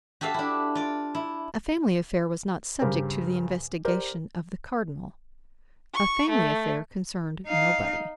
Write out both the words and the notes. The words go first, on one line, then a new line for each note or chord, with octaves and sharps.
A family affair was not subject to the investigation of the cardinal; a family affair concerned nobody.
F#4 G4 A4 E5 F5
D4 E4
F4 D5
E4
G2 C#3 G4 A#4 C5
G4 A#4 C5 D5
C#6
A3
D#4 F5